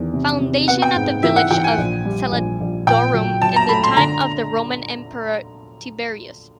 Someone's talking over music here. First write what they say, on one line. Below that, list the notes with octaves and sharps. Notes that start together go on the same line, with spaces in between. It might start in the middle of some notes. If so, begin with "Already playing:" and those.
Foundation of the village of "Salodurum" in the time of the roman emperor Tiberius.
Already playing: E2 D#3
C3
C3
B3 F#5
G5
G#2
E3 E5
F#5
E3 G5
G#5
A#1
G3
A#1
A#1
A#2 G5
F#3
F#3 A5
A#5
A3 B5
C6
D3 A#5